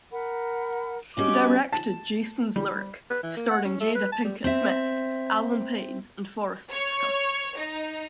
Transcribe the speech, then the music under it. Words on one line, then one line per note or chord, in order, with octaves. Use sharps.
He directed "Jason's Lyric" starring Jada Pinkett Smith, Allen Payne, and Forest Whitaker.
A#4 F#5 B5
C#3 G3 C#4 F#4 D#5 D6
A5
G3
B4
E3
A#3
F#5
C#4
A3
B4
A5
G3
C4 E5
C#5
D#4